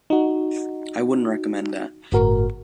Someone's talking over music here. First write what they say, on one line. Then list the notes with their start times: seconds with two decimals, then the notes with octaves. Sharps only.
I wouldn't recommend that.
0.10 D#4 F#4
2.12 G1 A2 F#4 A#4